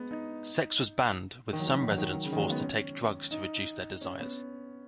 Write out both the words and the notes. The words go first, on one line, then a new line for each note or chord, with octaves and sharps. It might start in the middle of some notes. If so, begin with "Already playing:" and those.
Sex was banned, with some residents forced to take drugs to reduce their desires.
Already playing: G#3 B3
D#4
D#3
F#3
D#3
F#3
D#3
F#3
D#3
C#3
D#3
F#3
G#3
B3
C#4
D#4
C#4
B3